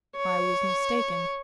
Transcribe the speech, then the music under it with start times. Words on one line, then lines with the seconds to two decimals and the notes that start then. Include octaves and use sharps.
I was mistaken.
0.17 C#5